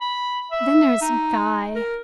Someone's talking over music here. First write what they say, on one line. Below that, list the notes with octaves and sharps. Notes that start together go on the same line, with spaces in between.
Then there's Guy.
B5
E5
D#4
A#4